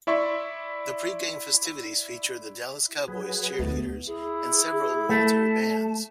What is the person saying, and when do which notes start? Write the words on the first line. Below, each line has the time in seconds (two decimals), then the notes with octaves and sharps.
The pregame festivities featured the Dallas Cowboys Cheerleaders and several military bands.
0.07 E4 D5 E5 C6 C#6
3.08 F#3 G#4 B4
3.59 D2 B2 A3
4.07 E4 G#4
5.09 A3 A5